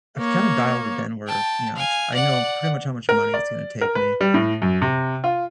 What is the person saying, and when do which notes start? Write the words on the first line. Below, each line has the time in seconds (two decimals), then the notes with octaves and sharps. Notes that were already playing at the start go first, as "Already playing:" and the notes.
I've kind of dialed it in where, you know, it's I know pretty much how much money it's going to take me,
0.18 A#3 C#5
1.27 G5 A5
1.76 F5 G#5
2.14 D5 F#5
3.09 A#4
3.34 D5
3.81 A#4
3.95 B4
4.21 G3
4.34 A2
4.62 F#2
4.82 C3
5.24 F4